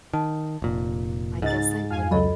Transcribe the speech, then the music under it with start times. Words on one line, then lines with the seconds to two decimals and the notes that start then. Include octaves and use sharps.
I guess I wouldn't
0.13 D#3 A5
0.62 F1 A#2
1.42 C#2 G#2 D#4 A6
1.91 F2 F5 G#5
2.11 C#2 F#3 A4 D#5 B5